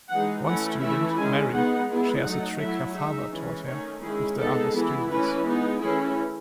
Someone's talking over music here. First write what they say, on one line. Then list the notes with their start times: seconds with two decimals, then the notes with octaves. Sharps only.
One student, Mary, shares a trick her father taught her with the other students.
0.08 E3 G#3 D#4 F#5
0.44 E3 A3 C#4 E4 F#5
0.81 E3 A3 E4 E5
1.16 D#3 G#3 C#4 G#5
1.51 G#3 B3 D#4 F#5
1.87 G#3 B3 E4
2.23 F#3 A3 D#4 F#5
2.58 F#3 A3 E4 E5
2.94 G#3 D#4 E5
3.30 E3 G#3 C#4
3.65 D#3 A3 C#4 C#5
4.01 D#3 G#3 C#4 E4 G#4
4.37 G#3 B3 D#4 A4
4.73 E3 B3 E4
5.08 E3 A3 C#4 E4 B4
5.45 G#3 B3 D#4
5.79 E3 A3 C#4 E4 G#4